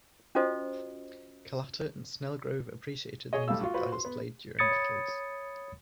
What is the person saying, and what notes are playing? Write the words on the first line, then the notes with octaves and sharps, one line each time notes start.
Kalata and Snelgrove appreciated the music that is played during battles.
C#4 F4 F#4 A4 C5 D#5
G#4 C#5 D#5
B1 G3 A3 F5 E6
F4 F#4
F4 F#4 B4 C5
C6
B3
C#5 B5 D#6 G#6 A6 C#7